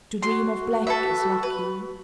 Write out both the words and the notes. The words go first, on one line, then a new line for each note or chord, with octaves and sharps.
To dream of black is lucky.
F#4 C6
A4 B4 E5
B4